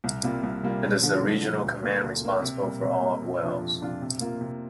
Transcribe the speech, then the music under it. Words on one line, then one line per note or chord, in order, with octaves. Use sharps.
It is a regional command responsible for all of Wales.
C2
C3 G3 A#3 F4
C2
C3 G3 A#3 F4
G2
D3 F3
G2
D3 F3
D2
D3 A#3
D2
D3 A#3
C3
G3 A#3
C3
G3 A#3
F2
C3 F3 D4 F4
F2
C3 F3 D4 F4
C3
A#3 F4
C3